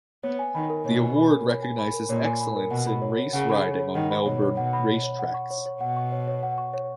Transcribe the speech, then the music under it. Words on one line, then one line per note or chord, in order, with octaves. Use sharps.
The award recognises excellence in race riding on Melbourne racetracks.
B3 C#5
G#5
D#3 B5
A#4
B2 C#5
G#5
B5
A#4
C#5
G#5
B5
A#4
A#2 C#5
G#5
B5
A#4
B2 F#5
B5
C#5
C#5
C#3 F#5
B5
C#5
C#5
D#3 F#5
B5
B2 C#5
C#5
B2 F#5
B5
C#5
C#5
F#5
C#6
C#5
C#5
B2 F#5
C#6
C#5
C#5
F#5
C#6
C#5